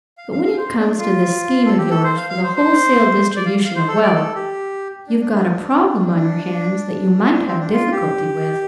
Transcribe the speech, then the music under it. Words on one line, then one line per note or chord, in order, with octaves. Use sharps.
"But when it comes to this scheme of yours for the wholesale distribution of wealth--you've got a problem on your hands that you might have difficulty with."
F5
F5
F5
C5
D4
F4
A4
G4
A4
C5
F5
F5
C5
C5
D5
F5
F5
C5
A4
D5
A4
G4
D4
D4
D4
C4
D4
D4
C4
D4
F4
G4